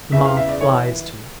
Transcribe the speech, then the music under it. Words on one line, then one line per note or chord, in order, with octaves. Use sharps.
The moth flies to it.
E2 C#3 E3 E5
F5
E5
D5
E3 C#5